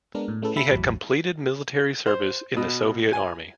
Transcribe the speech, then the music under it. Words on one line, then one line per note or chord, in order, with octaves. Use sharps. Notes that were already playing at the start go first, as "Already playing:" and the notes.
He had completed military service in the Soviet Army.
G#3 B3 D4 A#4
A2
A3 C#4 E4 G#4 A4 B4
G4 E5 A5 B5
G#1 E2 A2 F#3
C5
B2
G#5